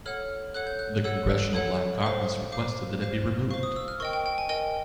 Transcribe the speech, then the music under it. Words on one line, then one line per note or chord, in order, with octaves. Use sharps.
The Congressional Black Caucus requested that it be removed.
A4 C#5 F#5 F6
A4 C#5 F#5 F#6
G6
F#6
A4 C#5 F#5 E6
A4 C#5 F#5
C5 F5
C5 F5 D6
C5 F5
C5 F5 C#6
D#6
E6
F6
A#4 D#5 G5 C#6
G5
G5
G#5
A#4 D#5 G5 G#5